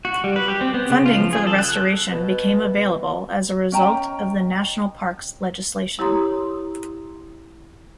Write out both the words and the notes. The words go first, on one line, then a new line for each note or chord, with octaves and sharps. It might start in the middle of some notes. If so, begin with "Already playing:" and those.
Funding for the restoration became available as a result of the National Parks legislation.
F#4
G3
B4
G4
C4
B3
C#3
F4
F3
G#4
A4
F#6
B2
C#4 D#5 G5 A#5
E4 G4 C#5 A#5 C6 D#6